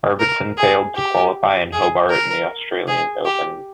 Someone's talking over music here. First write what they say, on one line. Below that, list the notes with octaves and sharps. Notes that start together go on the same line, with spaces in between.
Arvidsson failed to qualify in Hobart and the Australian Open.
A#4
G#4
G4
G#4
A#4
G#4
G4